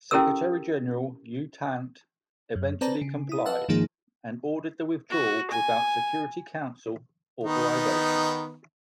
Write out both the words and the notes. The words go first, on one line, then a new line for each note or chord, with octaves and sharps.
Secretary-General U Thant eventually complied and ordered the withdrawal without Security Council authorisation.
C#4 E4 G4 A4 A#4 E6
F#2
C4 B4 C5 D5 A5 A#5
C#3
E4 D#6
B4 D#5 F5 F#5 A5 E6
G#2 D#3 F3 A#3 D#4 G#4
F#4
G#5
D#3 B3 D#4